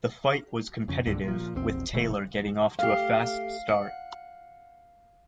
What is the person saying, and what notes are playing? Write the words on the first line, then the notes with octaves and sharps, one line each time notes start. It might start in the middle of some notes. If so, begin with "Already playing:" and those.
The fight was competitive, with Taylor getting off to a fast start.
F2 C#3
C2 G2 A#2 D3
A#2 F3
A#1 E2 D3 C4
A#2 C#3 E3 A3
A3 G4 F5
F#5